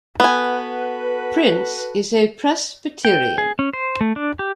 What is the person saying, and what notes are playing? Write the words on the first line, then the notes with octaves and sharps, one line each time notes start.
Prince is a Presbyterian.
B3 F#4 A4 B4 G#5
G5
G#4
C#4
C5
A3
D4
G4